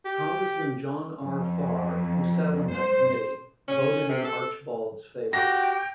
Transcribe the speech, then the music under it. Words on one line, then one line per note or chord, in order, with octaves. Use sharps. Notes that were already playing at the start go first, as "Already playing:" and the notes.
Congressman, John R. Farr, who sat on that committee, voted in Archbald's favor.
G4
F2
C5
C#4
C3
A4
F#4 G4 G5 A#6